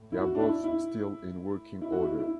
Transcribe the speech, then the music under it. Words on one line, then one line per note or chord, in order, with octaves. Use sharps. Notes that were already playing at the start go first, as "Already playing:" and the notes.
They are both still in working order.
Already playing: A2
E4
F#4
D4
E4
E4
E4
F#4
E4
E4